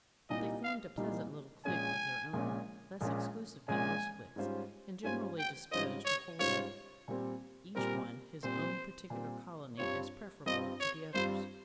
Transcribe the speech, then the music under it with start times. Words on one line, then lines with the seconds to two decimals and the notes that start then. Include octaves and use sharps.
But they formed a pleasant little clique of their own, less exclusive than most cliques, and generally disposed to hold up each one his own particular colony as preferable to the others.
0.29 C2 A#2 G3 A#3 D#4 D#5
0.64 F5
0.97 C2 A#2 G3 A#3 D#4
1.65 A#1 A#2 G#3 C#4 G#5
2.33 A#1 A#2 G#3 C#4
3.01 A#1 A#2 G#3 C#4
3.68 A#1 A#2 G#3 C#4 G#5
4.36 G#2 G3 C#4 F4 C5
5.04 G#2 G3 C#4 F4 C5 G#5
5.38 G5
5.71 G#2 G3 C#4 F4 C5 D#5
6.05 C#5
6.39 G#2 G3 C#4 F4 C5 C#5
7.08 A#2 G3 C4
7.75 A#2 G3 C4 A#4
8.43 A#2 G3 C4 C5
9.10 A#2 G3 C4
9.78 G2 G3 C4 F4 C#5
10.46 G2 G3 C4 F4 D#5
10.80 C#5
11.14 G2 G3 C4 F4 C5